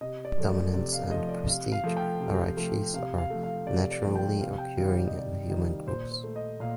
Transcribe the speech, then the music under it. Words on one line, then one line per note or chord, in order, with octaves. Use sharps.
Dominance and prestige hierarchies are naturally occurring in human groups.
C3 D#5
D5
F3 A3
D5
C3 D5
F5
F3 A3 D#5
D5
C3 F5
F5
F3 A3
G5
C3
F3 A3
C3 F5
F5
F3 A3
F5
C3 D5
D5
F3 A3
G5
C3 F5
G5
D#3 G3 F5
D5
D#5
C3 D5
D#3 G3
A#2 C5
C5
A3
D#5
A#2 F5